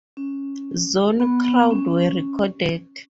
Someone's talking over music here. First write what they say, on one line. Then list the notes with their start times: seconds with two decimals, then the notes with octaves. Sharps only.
Zone crowd were recorded.
0.17 C#4
1.20 B3
1.45 B3
1.71 C#4